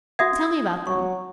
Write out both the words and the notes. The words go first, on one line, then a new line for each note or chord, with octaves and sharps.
"Tell me about them."
F#4 E5 F#5 D#6 G#6
F#3 C#6